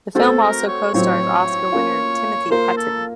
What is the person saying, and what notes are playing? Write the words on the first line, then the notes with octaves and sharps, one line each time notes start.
The film also co-stars Oscar winner Timothy Hutton.
A3 C4 F#4 A4 C5
A#4
C#5
A2 F#3 C4 F4 C5 C#5
A#3 C#4 F4
A#3 F4 A#4 C5
A4